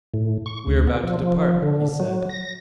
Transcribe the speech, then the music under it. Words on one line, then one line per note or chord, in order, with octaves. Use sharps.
"We're about to depart," he said.
A2
C#6
D2
B3
F3
F3
D3
F#3
A#6